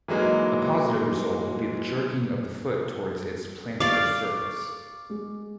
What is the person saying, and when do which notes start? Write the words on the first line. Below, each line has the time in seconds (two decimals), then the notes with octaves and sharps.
A positive result would be the jerking of the foot towards its plantar surface.
0.08 E3 F#3 G#3 A#3 D#4
3.80 G4 D5 F5 C#6 D6
5.10 G#3